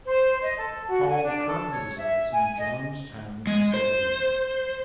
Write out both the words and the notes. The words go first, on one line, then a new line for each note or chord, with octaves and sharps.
Hall currently resides in Johnstown, Pennsylvania.
C5
D#5
A4
F#4
G#5
D4
A4
C#5
E5
G#5
D#5
G#3
C5